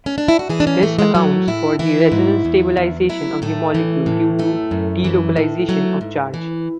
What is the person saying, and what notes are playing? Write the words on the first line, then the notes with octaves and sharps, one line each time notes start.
This accounts for the resonance stabilization of the molecule due to delocalization of charge.
C#4
D4
E4
F#4
E3 G#4
D4
C#4
A2 A3
G#3
F#3 A3
A2 E4
E3 E4
G#2
E2
E2
F#3 E4
A2 A3
E3
A2
F#2 A3
F#2
E3
A2
F#3 A3
G#2
E3